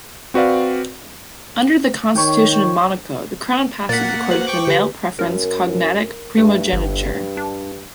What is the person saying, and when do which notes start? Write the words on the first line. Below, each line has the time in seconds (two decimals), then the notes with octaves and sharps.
Under the constitution of Monaco, the crown passes according to male-preference cognatic primogeniture.
0.34 C4 F#4 B4 D5 F5
2.15 D#3 G4 C#5
3.89 A#2 A#3 A#4 F#5 A6 B6
4.31 F#4 B4 C5 F#7
4.47 G5 C#6 D6
4.67 D3 G4 B4
5.19 F#2 A#4
6.38 G2 A3
6.73 G1
7.37 D4